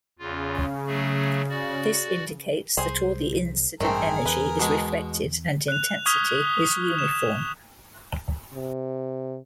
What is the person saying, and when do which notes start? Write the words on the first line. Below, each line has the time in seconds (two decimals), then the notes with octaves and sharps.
This indicates that all the incident energy is reflected and intensity is uniform.
0.19 E2 C#3 F4
0.87 F#3 A3 G#4
1.49 F#4 D5
2.77 C2 G#4 C5
3.80 A1 G2 D#3 A3 C4 G#4 A#4
4.25 E2 B4
4.60 B2 G#3
5.68 F#6 F7
6.06 C#6 D#6 F6 G#6 B6 G7
6.98 E7
8.54 C3